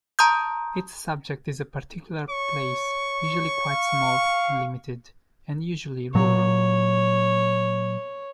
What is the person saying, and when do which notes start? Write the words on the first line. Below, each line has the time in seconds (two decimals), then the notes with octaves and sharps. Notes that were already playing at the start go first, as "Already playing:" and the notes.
Its subject is a particular place, usually quite small and limited, and usually rural.
0.19 A5 A#5 C6 D#6 G6
2.30 C#5 C#6
3.69 F5
6.15 A#2 F#3 C#5